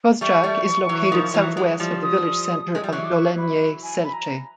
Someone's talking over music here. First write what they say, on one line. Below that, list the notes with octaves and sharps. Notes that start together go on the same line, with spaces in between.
Kozjak is located southwest of the village center of Dolenje Selce.
G3 A3 C#6
G3 A3
E3 F#3
D#3 F3
E3 F#3
F#3 G#3
F3 G3
D#6
G#3
G3
E3 F#3 C#6
D6
C#6
B5
G#5
B5
A#5